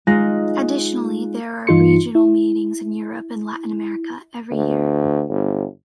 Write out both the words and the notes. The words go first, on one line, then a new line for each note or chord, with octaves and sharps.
Additionally, there are regional meetings in Europe and Latin America every year.
G#3 D#4 F4 F#6 A#6
G2 E3 D#4 F4 C6 C#7
E4
D2
G1